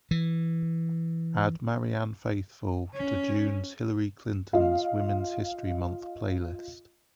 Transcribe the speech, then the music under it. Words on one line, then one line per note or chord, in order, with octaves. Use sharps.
Add Marianne Faithfull to june's Hillary Clinton's Women's History Month Playlist.
E3
C#4
F4 D#5 F5